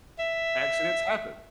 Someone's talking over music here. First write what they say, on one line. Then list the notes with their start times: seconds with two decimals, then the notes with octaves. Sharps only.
Accidents happen.
0.19 E5